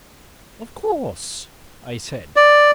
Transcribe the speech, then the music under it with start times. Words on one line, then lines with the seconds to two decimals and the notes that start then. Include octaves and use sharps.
"Of course," I said.
2.36 D5